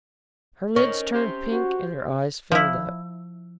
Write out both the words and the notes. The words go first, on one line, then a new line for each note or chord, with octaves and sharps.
Her lids turned pink and her eyes filled up.
C#4 A#4 D#5
G4 C5
F#4
F3 E4